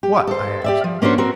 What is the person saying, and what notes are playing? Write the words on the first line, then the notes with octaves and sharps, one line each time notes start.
"What?" I asked.
G4
A4 C5
G4 D5 E5
F3
A#3 C#4 D4 F#4 C5
C4 F#4 A#4